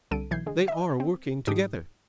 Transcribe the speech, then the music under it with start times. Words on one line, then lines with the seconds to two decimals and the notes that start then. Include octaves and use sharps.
They are working together.
0.11 C2 D3 A4 D7 D#7
0.31 B1 E3 G6 G#6 C7
0.46 D3 G#3
0.68 D#5 E5
1.00 C4
1.47 G#2 D4 G4 D#6 D7